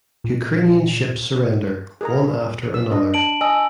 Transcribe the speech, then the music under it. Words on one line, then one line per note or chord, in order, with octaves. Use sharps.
Ukrainian ships surrender one after another.
A#2
G#4 A#4 A#5
E6
D4 D#5
A5 D7 F#7
D#5 G#5 E6